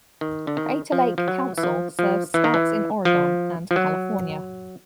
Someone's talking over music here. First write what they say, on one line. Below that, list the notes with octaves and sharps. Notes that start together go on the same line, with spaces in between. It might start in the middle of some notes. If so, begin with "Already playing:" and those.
Crater Lake Council serves Scouts in Oregon and California.
D#3
D3
D#3
F3
F3
F#3
E3
F3
F3
E3
D#3
E3
F3
F3
F#3